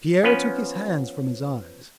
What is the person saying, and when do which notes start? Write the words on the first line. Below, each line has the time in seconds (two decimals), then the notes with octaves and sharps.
Pierre took his hands from his eyes.
0.23 F3 B3 C#4 B4